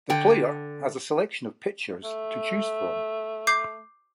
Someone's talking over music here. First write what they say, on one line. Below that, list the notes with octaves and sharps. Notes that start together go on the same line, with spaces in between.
The player has a selection of pitchers to choose from.
D3 G5
A3
D6 G6 C7